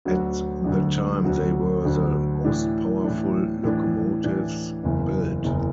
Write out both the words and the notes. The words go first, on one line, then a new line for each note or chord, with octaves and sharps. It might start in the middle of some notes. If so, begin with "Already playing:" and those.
At the time they were the most powerful locomotives built.
D2 D3 F#3 D4 F#4
D2 D3 F#3 D4 F#4
D2 D3 F#3 D4 F#4
D2 D3 F#3 D4 F#4
A2 E3 D4
A2 E3 D4
A2 E3 D4
A2 E3 D4
F#1 E2 E3
F#1 E2 E3